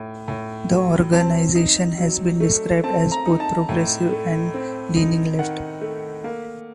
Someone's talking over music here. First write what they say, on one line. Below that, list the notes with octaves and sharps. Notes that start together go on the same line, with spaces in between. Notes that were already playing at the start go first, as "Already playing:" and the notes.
The organization has been described as both progressive and leaning left.
Already playing: A2
A2
F#3
C4 A5
D#4
F#3
A3
C4 A5
A#5
D#4
A5
A2
A3
C4
D#4
D#3 F#5
A3
A#3